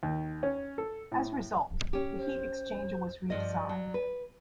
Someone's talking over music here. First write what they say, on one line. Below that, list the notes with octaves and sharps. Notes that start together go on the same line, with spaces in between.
As a result, the heat exchanger was redesigned.
D#2
C#4
A4
A2
C#4 G4
C5
G2 F3 D5 D#5
F#3
B4